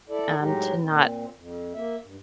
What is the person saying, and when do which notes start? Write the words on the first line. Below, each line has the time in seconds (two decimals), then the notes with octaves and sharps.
um, to not
0.09 E4 A4 D5
0.40 A2 F#3 G#3 D#4 G4
0.80 A#2 C4
1.37 F2
1.74 A#3 E5
2.03 G2